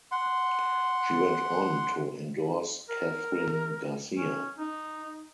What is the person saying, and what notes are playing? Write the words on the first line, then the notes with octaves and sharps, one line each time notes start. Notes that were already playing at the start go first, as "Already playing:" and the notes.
She went on to endorse Kathryn Garcia.
F#5 C6
A#4
C#4
D#4